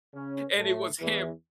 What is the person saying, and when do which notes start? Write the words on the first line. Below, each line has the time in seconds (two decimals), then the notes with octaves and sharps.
And it was him.
0.13 C#3 C#4
0.56 A2 A3
0.99 E2 E3